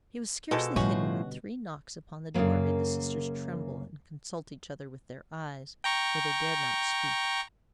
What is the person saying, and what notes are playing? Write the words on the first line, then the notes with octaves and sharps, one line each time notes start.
He was scarcely hidden when three knocks upon the door made the sisters tremble and consult each other with their eyes, for they dared not speak.
B2 F3 G#3 A4
A2 D3 F3 G3 C#4 F#4
F#2 C#3 F3 F#3 A#3
G5 A#5 C#6